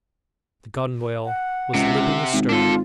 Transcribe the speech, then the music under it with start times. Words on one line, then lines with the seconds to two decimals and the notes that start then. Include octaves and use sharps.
The gunwale was lipping astern.
1.25 F#5
1.74 C#2 C3
2.33 G#1
2.49 G#1 D4 F4 A4